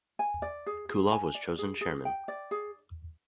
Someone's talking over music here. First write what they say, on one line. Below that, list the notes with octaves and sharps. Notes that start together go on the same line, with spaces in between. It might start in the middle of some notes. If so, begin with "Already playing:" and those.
Kulov was chosen Chairman.
G#5
D5
G#4
G#4
G#5
D5
G#4
G#4
G5
D5
G#4